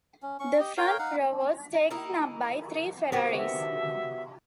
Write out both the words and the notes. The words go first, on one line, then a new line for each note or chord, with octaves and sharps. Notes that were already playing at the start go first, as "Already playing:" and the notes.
The front row was taken up by three Ferraris.
C#4
C#4 C#6
G4 D#5
A#4 C#5 F5 G5
D#4 F5 F#5
A#3 D#4 E4
B3 F#4 G4 A#4 C5 G#5
E5